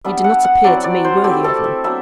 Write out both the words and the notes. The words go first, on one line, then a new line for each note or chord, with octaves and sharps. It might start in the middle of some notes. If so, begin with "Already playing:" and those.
You did not appear to me worthy of him.
G3 B3 D4 E5
F#5
F#5
F#3 C4 E4 D5
D5
C5
A3 C4 E4 G4
A4
E5
F#3 B3 D4 E5